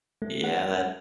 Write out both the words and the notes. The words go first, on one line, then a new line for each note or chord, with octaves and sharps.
Yeah, that
A3
F#5